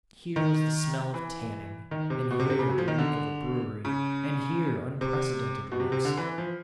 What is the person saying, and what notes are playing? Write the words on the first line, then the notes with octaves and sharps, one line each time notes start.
Here was the smell of tanning, and here the reek of a brewery, and here unprecedented reeks.
D#3
E3
D#3
C3
B2
C3
C3
C#3
F#3
F3
D#3
D3
C#3
C3
B2
C3
C3
D3
E3
F3